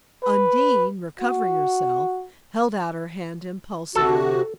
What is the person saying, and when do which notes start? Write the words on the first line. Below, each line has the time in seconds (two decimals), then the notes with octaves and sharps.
Undine, recovering herself, held out her hand impulsively.
0.23 B4
1.20 F#4
3.96 C3 F#4 A4